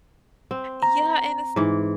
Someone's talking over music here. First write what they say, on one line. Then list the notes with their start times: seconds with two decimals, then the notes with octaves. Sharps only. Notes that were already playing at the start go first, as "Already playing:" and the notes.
Yeah, and it's
0.51 C4
0.83 A#5
1.56 G#2 E3